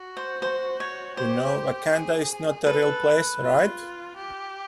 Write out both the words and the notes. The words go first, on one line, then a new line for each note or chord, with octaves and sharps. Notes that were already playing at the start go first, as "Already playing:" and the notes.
You know Wakanda is not a real place, right?
Already playing: F#4
C5
C5
C#5
G4 C5
G#4
A4 B4
F4
G4